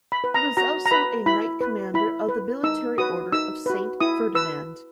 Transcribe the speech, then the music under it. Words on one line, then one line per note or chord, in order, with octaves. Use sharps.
He was also a Knight Commander of the Military Order of Saint Ferdinand.
B5
B4
A#5
F#4 A#5
A#5
B4 B5
E4 B5
B4
E4 B5
B4
D#4 E6
F#4 B4 D#6
D#4 E6
F#4 B4
E4 D#6
B4 E6